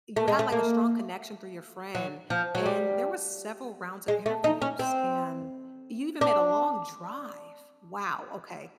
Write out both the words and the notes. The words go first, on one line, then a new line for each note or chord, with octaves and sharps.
You had, like, a strong connection through your friend, and there were several rounds of interviews, and you even made a long drive! Wow, okay.
A3
G#3
A3
A#3
F#3
F3
F#3
G3
G#3
A3
D#4
C#4
C4
D4